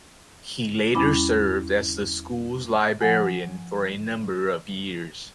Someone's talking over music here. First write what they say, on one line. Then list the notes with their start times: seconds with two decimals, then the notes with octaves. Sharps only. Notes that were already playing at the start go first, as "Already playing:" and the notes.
He later served as the school's librarian for a number of years.
0.95 E2 G3 C#4 E4 B5 D6
3.01 F3 F#5 G#5